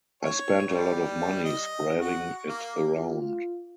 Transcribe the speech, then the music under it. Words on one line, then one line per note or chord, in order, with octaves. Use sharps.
I spent a lot of money spreading it around.
C#5
G3
D#5
F#4
A#3
F4